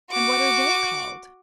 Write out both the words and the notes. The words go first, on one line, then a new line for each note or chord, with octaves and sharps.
"And what are they called?"
F#4 D6